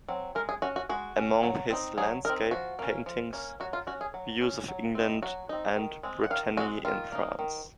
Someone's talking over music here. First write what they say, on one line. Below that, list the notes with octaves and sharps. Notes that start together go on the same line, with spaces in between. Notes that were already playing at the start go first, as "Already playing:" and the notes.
Among his landscape paintings - views of England and Brittany in France.
F#3 C4
G#3 A#4
G#4
C#4 F#4
F#4
G#3 F#4
C#4
F#3
C4 D#4
F#3 G#4
C4 D#4 A#4
F3 F#4
A#3 C#4
F3
A#3 C#4
F#3 F#4
F4
C#4 F#4
G#4
F#3
C#4
F#3
C4 D#4
F#3 F#4
C4 D#4
D#3
G#3 C4
F#5
D#3 F5
G#3 C4 F#4
D#3 F4
A#3 D#4
D#3